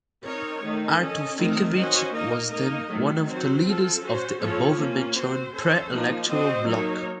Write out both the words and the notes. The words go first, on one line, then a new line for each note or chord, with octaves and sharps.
Artur Finkevich was then one of the leaders of the above-mentioned pre-electoral block.
C4 D#4 A#4 C#5
D#3 A3 D#4
C#4 A4 D#5
D#3 A3 C4 D#4 A#4
C#4 F#4 C5 D#5
A#3 D#4 A#4 D#5
A#3 D#4 A#4 D#5
D#3 F#3 A3
F#3 C4 F#4 C5
C4 F4 A4
C#4 F#4 C5
F3 A#3 C#4 A4 C#5
A#3 C#4 F4
C4 F#4 C5
C#4 A4 C5
F3 A#3 D#4
C4 F#4 C5 D#5
F#3 A#3 D#4 A#4 C#5